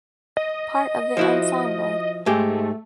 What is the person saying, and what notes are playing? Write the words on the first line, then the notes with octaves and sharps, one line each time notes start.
Part of the ensemble.
D#5
F3 E4 F#4
G#2 G#3 A3 G4